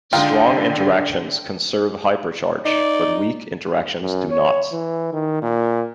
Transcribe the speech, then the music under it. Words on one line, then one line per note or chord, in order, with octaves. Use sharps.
Strong interactions conserve hypercharge, but weak interactions do not.
D3 G#3 D#4 F4 G5
D#4 D5
F#2
C#5
E3
D#3
A#2